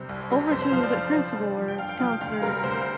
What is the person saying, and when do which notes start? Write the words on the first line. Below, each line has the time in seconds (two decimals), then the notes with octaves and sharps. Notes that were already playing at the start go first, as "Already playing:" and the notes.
over to the principal or counselor,
Already playing: C3 G3 C5
0.09 C2
0.30 C3 G3
0.51 F2 C5
0.62 C5
0.72 F3 F5
0.83 D5
0.93 F2
1.15 F3
1.36 G2
1.57 F3
1.68 G5
1.78 G2 F5
1.89 G5
2.00 F3 F5
2.21 D2 F5
2.42 C3 G3 A#4
2.63 D2 C5